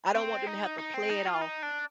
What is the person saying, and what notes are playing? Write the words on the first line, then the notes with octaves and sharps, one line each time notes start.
I don't want them to have to play it off
C4
D#4
D#4
C4
D#4
F4
D#4
D4